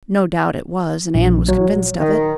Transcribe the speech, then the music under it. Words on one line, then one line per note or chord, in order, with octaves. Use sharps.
No doubt it was, and Anne was convinced of it.
A#1
F#3
D#3